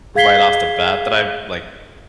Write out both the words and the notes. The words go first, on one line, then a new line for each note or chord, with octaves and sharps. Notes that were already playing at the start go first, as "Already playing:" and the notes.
right off the bat that I've, like,
G#4 F5 G#6 B6 C7 G7